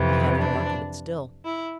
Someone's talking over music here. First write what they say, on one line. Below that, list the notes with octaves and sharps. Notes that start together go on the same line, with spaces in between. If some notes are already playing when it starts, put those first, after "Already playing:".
I have the mark of it still.
Already playing: F2 C3 E3
D4
E4